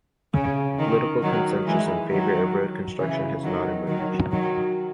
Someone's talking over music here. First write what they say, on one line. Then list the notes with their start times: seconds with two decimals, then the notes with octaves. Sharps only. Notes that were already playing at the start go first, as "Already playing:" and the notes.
Political consensus in favor of road construction has not emerged.
0.34 C#3
0.78 D#3
1.22 D#3 F#3
1.66 E3 G#3
2.10 D#3 F#3
2.99 C#3 E3
3.43 D#3 F#3
3.87 D#3 F#3
4.31 D#3 F#3